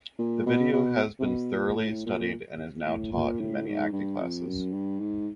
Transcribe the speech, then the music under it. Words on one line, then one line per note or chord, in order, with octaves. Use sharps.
The video has been thoroughly studied and is now taught in many acting classes.
A#2
B2
B2
C3
B2
A#2
A2
A#2
A2
A#2
A2
A2
G#2
G2
F2
F#2
G2
G#2